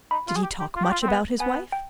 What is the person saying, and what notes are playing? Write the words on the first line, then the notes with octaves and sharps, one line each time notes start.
"Did he talk much about his wife?"
D#4 B5
F4
G#4
G4
G4
F4
G4
F4
C4
B3
B3 G#5
G5